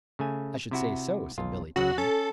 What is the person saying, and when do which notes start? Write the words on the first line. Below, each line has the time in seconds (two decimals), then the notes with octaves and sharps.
"I should say so," said Billy to him.
0.19 C#3 A3 G#5
0.71 C3 E4 F#4
1.38 B1 F4
1.76 C#3 F#3 F#4 F#5
1.98 C#4 A4 C#5